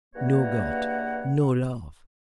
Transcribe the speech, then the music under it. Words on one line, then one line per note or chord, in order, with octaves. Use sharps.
No God! no Love!
G2 C#3 E3 A#3 C#5 F#5